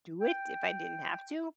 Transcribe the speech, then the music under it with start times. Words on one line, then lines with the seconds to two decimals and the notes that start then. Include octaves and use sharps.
do it if I didn't have to,
0.21 G5